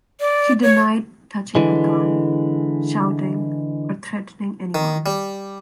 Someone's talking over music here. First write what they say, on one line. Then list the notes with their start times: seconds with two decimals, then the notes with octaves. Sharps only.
She denied touching a gun, shouting, or threatening anyone.
0.20 D5
0.62 C#5
1.55 D3 E3 G#3
4.75 D#3
5.06 G3